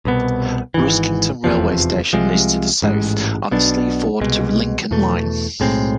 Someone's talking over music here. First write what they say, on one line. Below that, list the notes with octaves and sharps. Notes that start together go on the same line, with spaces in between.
Ruskington railway station is to the south, on the Sleaford to Lincoln line.
C2 B2 B3
G#1 G#2 E3
F1 E2 C3 F3
C2 C3 F3 G#3
A1 G#2 G#3
B1 B2 B3 D4
C2 B2 G#3
E2 B2 A3
B1 A2 G#3 C4